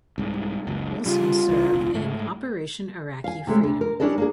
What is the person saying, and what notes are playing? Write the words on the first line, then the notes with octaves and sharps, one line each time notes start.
Olson served in Operation Iraqi Freedom.
C2 G#2
F#1 C#2
C#3 G3 F4
C2 E3
E1 C#2
G#2 A3
F5 G#5
C3 G#3 A3 C#4
D2 D3
A#4
G3 C#4 D4 E4 A4 D#5
A#3 D4 G#4